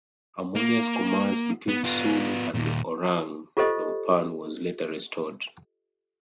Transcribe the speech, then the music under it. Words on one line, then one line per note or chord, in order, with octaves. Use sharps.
Harmonious commerce between Sulu and the Orang Dampuan was later restored.
A#3
B3
B3 F4
D#2 A#2
F4 G4 A4 C5 D#5